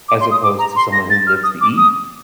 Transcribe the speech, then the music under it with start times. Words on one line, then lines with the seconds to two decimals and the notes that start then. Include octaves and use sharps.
as opposed to someone who lives to eat,
0.09 D6
0.20 C6
0.31 D#6
0.43 D6
0.59 A#5
0.76 C6
0.93 A#6
1.10 A6
1.27 F6
1.43 D#6
1.61 D6
1.77 D#6